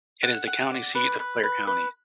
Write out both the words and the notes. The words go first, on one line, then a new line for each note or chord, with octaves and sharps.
It is the county seat of Clare County.
F#5
F#5
D5
B4
B4
B4
B4